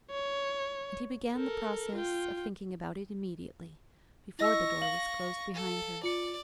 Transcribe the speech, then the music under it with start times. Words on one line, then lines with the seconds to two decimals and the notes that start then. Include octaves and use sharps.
And he began the process of thinking about it immediately,--before the door was closed behind her.
0.11 C#5
1.36 A4 A#4
1.95 F4 G5
4.39 E4 D#5 C#6 E6 A#6
4.81 F5 F#7
5.54 A4
6.03 F4 D5 C#7